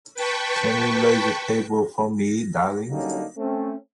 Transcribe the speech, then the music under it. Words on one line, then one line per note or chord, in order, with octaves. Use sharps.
Can you lay the table for me, darling?
B4 G5 A5 B5 C#6
D3 F#3 G3 A#3 C#4 D#4
A3 C4 C#4